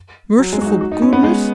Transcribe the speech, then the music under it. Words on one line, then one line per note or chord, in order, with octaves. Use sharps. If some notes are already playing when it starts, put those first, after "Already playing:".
"Merciful goodness!"
F#3
G#3
F#4
D#4
F#4
D#4
C#4
B3
G#3